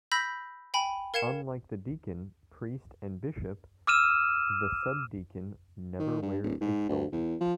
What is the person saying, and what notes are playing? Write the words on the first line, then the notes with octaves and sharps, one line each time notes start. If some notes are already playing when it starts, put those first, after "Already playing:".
Unlike the deacon, priest, and bishop, the subdeacon never wears a stole.
B5 E6 G6 A#6 B6
G5 G#5 B5
A#4 F5 G#6 C#7 E7
D6 E6 F6 D#7 E7
D#3
G2
D1
G#2
D2
E2
F3